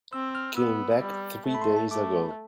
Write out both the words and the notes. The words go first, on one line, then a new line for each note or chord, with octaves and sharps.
Came back three days ago.
C4 E6
F6
B3 E6
G3
A3
B5
C6
A5
A3 D6